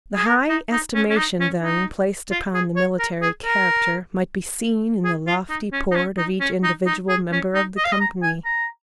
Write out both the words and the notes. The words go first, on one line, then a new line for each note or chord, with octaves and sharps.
The high estimation then placed upon the military character might be seen in the lofty port of each individual member of the company.
G#4
A#4
D#4
D#4
C#4
C#4
D#4
C#4
D#4
F4
G#4
C#5
A#4
G#4
A#4
G#4
F4
D#4
C#4
D#4
C#4
D#4
C#4
D#4
D#4
G#4
C#4
D#4
D#5
F5
D#5
A#5
G#5
A#5